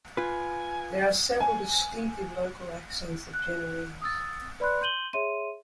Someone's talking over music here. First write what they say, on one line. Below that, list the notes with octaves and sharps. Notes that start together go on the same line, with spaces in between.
There are several distinctive local accents of Genoese.
F4 B4 G#5
G#5
F#6
D#6 E6 A6
B4 D5 B5 C6 F#6
C6 G6 D#7 F#7 G7
G#4 C#5 E5 C6 D#7